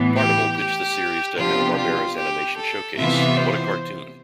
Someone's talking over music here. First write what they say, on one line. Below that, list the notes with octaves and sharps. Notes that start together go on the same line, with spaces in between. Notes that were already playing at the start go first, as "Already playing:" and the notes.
Partible pitched the series to Hanna-Barbera's animation showcase What a Cartoon!
Already playing: A2 E3 B3
G4
G4
C3 F3 B3 D4 F4 G4
F4
G4
A4
C3 E3 B3 F4 E5
C5